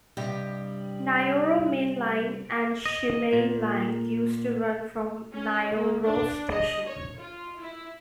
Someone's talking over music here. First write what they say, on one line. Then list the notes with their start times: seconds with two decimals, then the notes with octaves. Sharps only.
Nayoro Main Line and Shimmei Line used to run from Nayoro Station.
0.17 G2 C3 G3 G4 D#5
2.86 D#5
3.33 A#2
5.34 C#4
5.70 A#3
6.03 D4
6.51 D#5
6.84 C#5
7.18 F4
7.59 E4